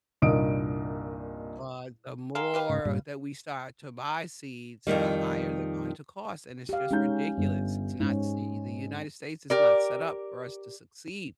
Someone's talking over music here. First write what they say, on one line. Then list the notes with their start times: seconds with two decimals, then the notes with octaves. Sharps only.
But, the more that we start to buy seeds, the higher they're going to cost, and it's just ridiculous, it's not see the United States is not set up for us to succeed.
0.22 C2 G2 A#2 D#4 D#6 D7
2.35 G#4 A#4 F5 C6 E6
2.54 G4 B4 F5
2.70 G#2 C#3
2.85 G2 A#2 G3
4.87 F2 G#2 D#3 G3
6.69 G4 F5
6.91 G#3 C#4 D#4 G6
7.37 G1
8.00 G#2 G#3 C#4
9.50 G4 A#4 D5